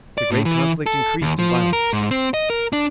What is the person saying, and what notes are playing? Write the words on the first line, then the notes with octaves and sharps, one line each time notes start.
The great conflict increased in violence.
D5
A2
E3
A4
D#2
F3
A#4
G#2
C4
D#5
A#4
D4